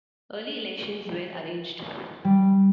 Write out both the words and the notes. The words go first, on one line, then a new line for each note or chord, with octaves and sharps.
Early elections were arranged.
G3